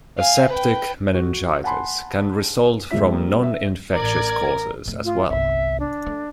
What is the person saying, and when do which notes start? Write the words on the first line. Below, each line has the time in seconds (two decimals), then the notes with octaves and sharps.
Aseptic meningitis can result from non-infectious causes as well.
0.18 F5 G#5
0.49 B4 G5
1.15 F#4
1.64 F#5 G#5 A5 B5 C6
2.91 E1 G#2 G#3 F4 E5 B6
3.11 G3 A#3 C4
3.43 E5
3.94 A1 A#4 D5 G#6
4.85 G#2 A3
5.05 F4
5.30 G1 C2 E5
5.80 D4
6.06 A3